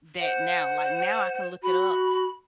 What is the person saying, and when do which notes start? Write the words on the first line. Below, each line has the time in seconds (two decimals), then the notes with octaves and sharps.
that now. Like, now I can look it up
0.20 C5 F#5
1.63 F#4 B5